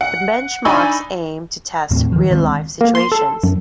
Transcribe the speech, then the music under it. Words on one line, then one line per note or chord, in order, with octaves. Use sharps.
The benchmarks aim to test "real-life" situations.
F#5
D4 D#4 G#5 B5 C#6 E6
D#2 A2 C4
D#3 F3
D2 D#3 G#3 C4
A#3
C6
A4
F#2